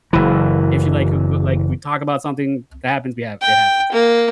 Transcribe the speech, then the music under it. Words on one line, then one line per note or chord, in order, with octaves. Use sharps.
if she like, a g like, we talk about something that happens, we have it happens.
F#1 E3
G5
A#3